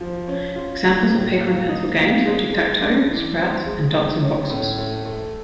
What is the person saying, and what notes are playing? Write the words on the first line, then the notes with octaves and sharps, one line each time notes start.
Examples of paper-and-pencil games are Tic-tac-toe, Sprouts, and Dots and Boxes.
F3
C#4
F4
F4
A2
A#3
D#4
A#3
G#3
G#3
D4
E3
C4
G#3
G#3
C#4
A2
A3
A3